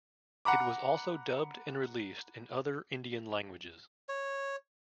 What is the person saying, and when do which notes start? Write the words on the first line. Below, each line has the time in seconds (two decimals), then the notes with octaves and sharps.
It was also dubbed and released in other Indian languages.
0.45 F#5 A#5 B5 D6
4.09 C#5